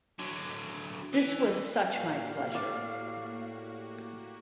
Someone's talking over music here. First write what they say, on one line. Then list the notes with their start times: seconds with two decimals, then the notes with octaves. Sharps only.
This was such my pleasure.
0.19 D3 F#3
1.13 E3
1.95 A2 A#3 F#4 G4 F5
2.55 D5